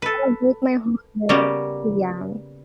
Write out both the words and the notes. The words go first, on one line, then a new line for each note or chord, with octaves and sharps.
that would break my heart, yeah, um,
A4 B4
C#3 G3 A#3 B3 F#4 G4